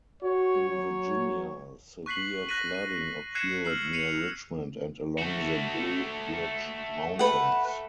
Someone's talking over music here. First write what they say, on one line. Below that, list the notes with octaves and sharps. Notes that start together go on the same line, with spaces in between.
In Virginia, severe flooding occurred near Richmond and along the Blue Ridge Mountains.
F#4 C#5
F#3
C#6 F#6 B6 C7 F#7
F#6 A#6 B6 D#7
F#6 D#7
F#6 G#6 C7 C#7 D#7 E7
E6 F6 C7 F#7
C7 C#7 D#7 F7 F#7
A3 F#4
B4 F#5